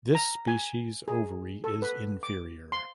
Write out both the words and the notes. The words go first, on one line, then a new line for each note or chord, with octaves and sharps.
This species ovary is inferior.
A#5
G#5
G#4
A4
B4
D6
C6